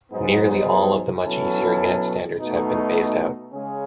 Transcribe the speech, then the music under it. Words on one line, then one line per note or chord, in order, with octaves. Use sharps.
Nearly all of the much easier Unit Standards have been phased out.
G#2 F#3 B3 D#4 G#4
B2 F#3 C#4 E4 A4
B2 A3 D#4 F#4
C#3 G#3 C#4 G#4